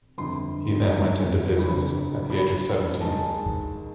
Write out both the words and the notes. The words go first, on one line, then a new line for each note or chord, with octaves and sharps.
He then went into business, at the age of seventeen.
G1 F2 D3 C6
F#1 F2 D3 B5
B5
D#2 D#3 G#3 A5